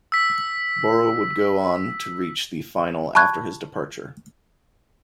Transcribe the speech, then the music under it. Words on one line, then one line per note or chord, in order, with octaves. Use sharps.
Boro would go on to reach the final after his departure.
E6 B6
A5 B5 C#6 F#6 G#6